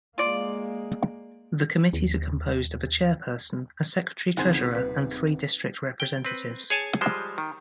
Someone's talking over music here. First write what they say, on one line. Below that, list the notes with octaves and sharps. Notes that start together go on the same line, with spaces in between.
The committees are composed of a chairperson, a secretary-treasurer, and three district representatives.
G#3 A#3 F4 D5
D#2
G1 C#2 D#3 B3 C4 D#4 G#4 C5
D#1 C3 B4
G5
C4 B4
G#4 C#5 G#5 A5
F3 G3 G#3 C5
D#3